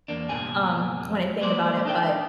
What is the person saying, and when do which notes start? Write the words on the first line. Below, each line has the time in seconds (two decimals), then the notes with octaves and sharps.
funny, um, when I think about it. But,
0.08 E2 A#3 D4
0.29 C#2 G2 B2 A#3 G#4 G#5
1.00 F2
1.41 F#3 G#3 A#3 B4 C5 D5
1.85 D4 D#4 A4 A#4 D5 G5